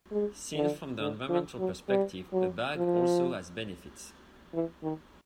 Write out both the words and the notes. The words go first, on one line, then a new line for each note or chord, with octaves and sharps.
Seen from the environmental perspective, a bag also has benefits.
G#3
D3
D3
F3
F#3
G3
F#3
F3
E3
D#3